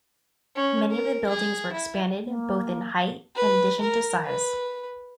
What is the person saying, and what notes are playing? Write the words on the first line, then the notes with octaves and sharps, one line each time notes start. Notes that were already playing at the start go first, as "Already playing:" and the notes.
Many of the buildings were expanded, both in height, in addition to size.
C#4
A#4
G#4
E4
A#3
B4
A#4
B4